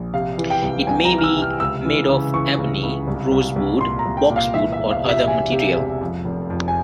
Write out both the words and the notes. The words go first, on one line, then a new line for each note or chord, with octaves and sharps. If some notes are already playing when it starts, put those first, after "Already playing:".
It may be made of ebony, rosewood, boxwood or other material.
Already playing: A#1
C3 F5
E3
G5
C2
C2 G#5
A#5
E3
F6
E6
C3
F6
C#2 E6
E3
C#3
E3 C#6
C#2
C#2
C2
C2
C2
A#2 C6
A#5
C2
G5
A#2
F5
E3 E5
E5
E1
F5
C3
E5
E1 G#5
C3
E1
F2
F1
F2
G#5